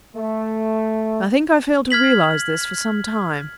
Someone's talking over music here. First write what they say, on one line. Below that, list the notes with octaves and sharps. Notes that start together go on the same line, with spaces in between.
I think I failed to realize this for some time.
A3
F6 G#6 B6 F#7